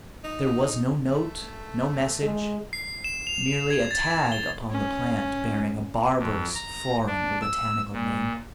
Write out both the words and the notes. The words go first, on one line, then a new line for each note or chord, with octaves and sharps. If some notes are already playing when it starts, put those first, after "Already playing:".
There was no note, no message, merely a tag upon the plant bearing a barbarous foreign or botanical name.
D#4
A3
G#3
C7
E7
F7
G#6
A6
G7
C#4
F2
A#5
D4
E6
A#2